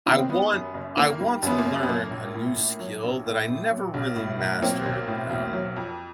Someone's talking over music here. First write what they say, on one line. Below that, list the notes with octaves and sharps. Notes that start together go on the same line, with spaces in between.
I want I want to learn a new skill that I never really mastered, um,
D#3 B3
C4
G3 B3
F#2
F#1
D#3 A#3
G3
F#2 B3
A#3
F#1
B3
F#3 A#3
A#1
A2
A#1
F#3
A#1
A2
A#1
F#3
B1
A2
B1
F#3 A#3 C4
B1
A2
B1
F#3
F2